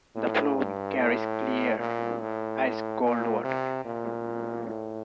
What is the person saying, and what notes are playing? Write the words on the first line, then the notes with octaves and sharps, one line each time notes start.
The flume carries clear, ice-cold water.
A2
G2
A2
A#2
A2
A#2
C3
A#2
A2